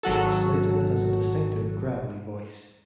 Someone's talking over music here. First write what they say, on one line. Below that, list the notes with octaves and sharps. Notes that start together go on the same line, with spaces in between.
Slayton has a distinctive gravelly voice.
G#1 F#3 F#4 A4